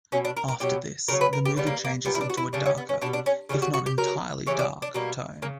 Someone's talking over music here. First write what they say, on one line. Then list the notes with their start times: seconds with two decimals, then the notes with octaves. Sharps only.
After this, the movie changes into a darker, if not entirely dark, tone.
0.12 B2 F#3 C#4
0.25 D4
0.37 A#4
0.48 A#4
0.60 B2 F#3 G4
1.08 C#3 F#3 A#4
1.21 B4
1.33 A#4
1.45 G4
1.56 C#3 G3 B3
1.67 A#3
1.85 A#3
2.05 A#2 G3 B3
2.15 E4
2.21 D4
2.30 F#4
2.37 E4
2.53 C#3 G3 D4
2.66 C#4
2.78 B3
2.89 C#4
3.01 B2 D4
3.06 G3
3.13 D4
3.26 C#4
3.49 C#3 E3 G3 F#4
3.62 F#4
3.74 F#4
3.86 G4
3.98 C#3 F#3 A#4
4.47 C#3 E3 G3 C#5
4.59 D5
4.82 D4
4.94 B2 G3 A#3
5.42 C#3 A#3